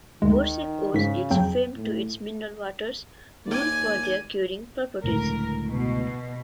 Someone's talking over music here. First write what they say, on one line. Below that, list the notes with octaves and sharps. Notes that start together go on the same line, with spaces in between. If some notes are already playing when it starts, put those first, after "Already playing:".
Borsec owes its fame to its mineral waters, known for their curing properties.
D2 D#3 G#3
G#2 C#3 B6
F2 F#3 G5
A2
D#2 D5 G#5
C#2 A2 D3 A#4
B2